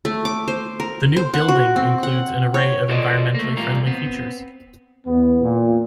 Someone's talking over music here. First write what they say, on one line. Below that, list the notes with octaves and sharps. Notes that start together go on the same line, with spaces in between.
The new building includes an array of environmentally friendly features.
A3
D6
C5
A#4
C5
F#5
F#4
C4
F#5
C#5
F4 A4 A#4 C5 D5 D#5
A3 A#3
E2 A#2 G3 F4 A#4
B3 C4
E2 B3
A#2